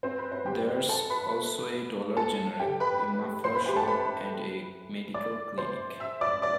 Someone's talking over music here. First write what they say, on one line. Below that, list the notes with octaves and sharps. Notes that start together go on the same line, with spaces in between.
There's also a Dollar General, a muffler shop and a medical clinic.
C4 C5
B4
C4 C5
G4 G5
A4 A5
B4 B5
A4 A5
G4 G5
B4 B5
C5 C6
B4 B5
G4 G5
A4 A5
B4 B5
D5 D6
C5 C6
E5 E6
D5 D6
D5 D6